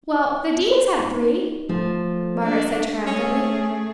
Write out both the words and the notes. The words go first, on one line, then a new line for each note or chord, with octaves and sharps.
"Well, the Deanes have three!" Margaret said triumphantly.
D#4
F3 A3
D4
A3 C#4 G#4